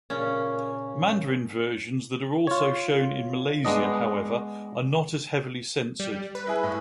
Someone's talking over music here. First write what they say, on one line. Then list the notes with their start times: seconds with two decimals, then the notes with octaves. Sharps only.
Mandarin versions that are also shown in Malaysia however, are not as heavily censored.
0.10 A#2 C#3 C#4
2.47 F4 C#5
3.65 G#3 B3 D4 D#5
6.00 G3
6.35 B4
6.47 E4 G#4
6.63 A2